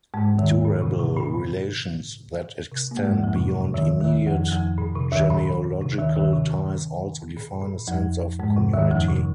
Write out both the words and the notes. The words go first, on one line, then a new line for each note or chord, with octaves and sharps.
Durable relations that extend beyond immediate genealogical ties also define a sense of community.
G#2 G#3
D#2 D#3
A#2
C3
C3
A#2
C3
A#3
G#2 G#3
F2 F3
C3
C3
C3
D#2 D#3
D#2 D#3
F2 F3
F2 F3
A#2
C3
D#2 D#3
A#2
C3
D#2 D#3
D#2 D#3
C3
A#2
A#2
F2 F3
G#2 G#3
C3
D#2 D#3
F2 F3
C3